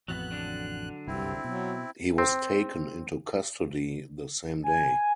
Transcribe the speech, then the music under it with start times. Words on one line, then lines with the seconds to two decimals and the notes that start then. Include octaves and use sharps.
He was taken into custody the same day.
0.08 A1 F2 F#3 B3 F#6
0.31 D3 F#3 D4
1.07 F#1 C2 G2 C4 E4
1.44 B2 F#3
2.18 C4
4.64 G#5